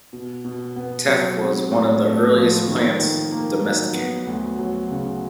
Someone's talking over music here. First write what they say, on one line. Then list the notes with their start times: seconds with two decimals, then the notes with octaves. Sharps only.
Teff was one of the earliest plants domesticated.
0.13 B2
0.45 B2
0.76 B3
1.08 F#3
1.40 C4
1.72 A2
2.04 A3
2.36 F3
2.67 D#3
2.99 D#3
3.31 A#3
3.63 F#3
3.94 B3
4.27 D2
4.59 F#3
4.91 C#3